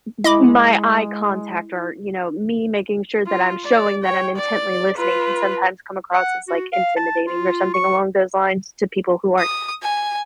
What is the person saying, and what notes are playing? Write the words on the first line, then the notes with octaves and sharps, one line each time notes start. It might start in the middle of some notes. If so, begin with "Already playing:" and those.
m m my eye contact or, you know, me making sure that I'm showing that I'm intently listening can sometimes come across as, like, intimidating or something along those lines to people who aren't
G#3 E4 D#5 B5 D6
F4
D5
C#5 G5
D5
F4 B4
F#5
F#4
F5
A5
F4
C#6
D#6
G#5